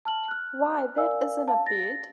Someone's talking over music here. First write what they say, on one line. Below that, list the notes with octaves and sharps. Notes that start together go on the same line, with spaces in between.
Why, that isn’t a bed!
A5 F6 F#7
F6 F#6
A#4 D5 F5 G#5 E6
F5 A5
A6 A#6